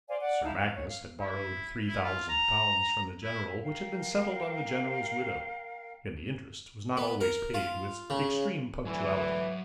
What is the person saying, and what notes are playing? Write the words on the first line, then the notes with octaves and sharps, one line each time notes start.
Sir Magnus had borrowed three thousand pounds from the general which had been settled on the general's widow, and the interest was not always paid with extreme punctuality.
C5 D5 F5 G#5
D5 F#5
D#4 E4 F5 A5
F5
C#5
F5
E4
E4
F4
A#5
E4
A#4 F5 G5
B3
A#4
F4
C#3
D2 E3 F#3 E5